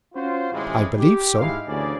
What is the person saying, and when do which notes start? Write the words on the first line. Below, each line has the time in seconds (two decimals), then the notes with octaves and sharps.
"I believe so."
0.15 C#4 F4 F#4 C5
0.52 A1 A2 C3 G3 G#3
0.98 G4
1.38 G#2 G#3 E4 F5
1.67 D2 C#3 E3 G#4 D5